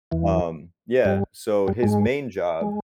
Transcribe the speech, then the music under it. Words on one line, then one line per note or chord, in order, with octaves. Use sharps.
Um, yeah. So, his main job
E2 E3
G2 G3
G2 G3
G#2 G#3
G#3